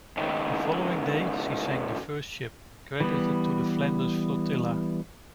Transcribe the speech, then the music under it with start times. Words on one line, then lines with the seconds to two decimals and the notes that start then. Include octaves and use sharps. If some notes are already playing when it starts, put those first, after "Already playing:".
The following day, she sank the first ship credited to the Flanders Flotilla.
0.17 C#2 D#3
3.00 E3 G3 B3